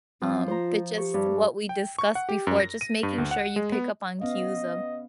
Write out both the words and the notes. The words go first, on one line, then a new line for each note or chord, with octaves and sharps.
um, but just what we discussed before, just making sure you pick up on cues of
F3 C4
F4 C5 A#5
G4 C#6
G2
G5
C#6
F#5
G4
F#2
A#6
D#7
G2
D2
F#5
G#3
B3
B3 C#4 D#5 F5